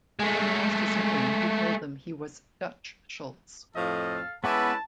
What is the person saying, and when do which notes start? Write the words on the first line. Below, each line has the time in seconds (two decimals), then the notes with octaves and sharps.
When they asked his name, he told them he was "Dutch" Schultz.
0.20 G#3 A3
3.75 F2 A2 F3 A4 D#5 F5
4.44 G#3 B3 C#4 E4 B4 F#5 A5 D6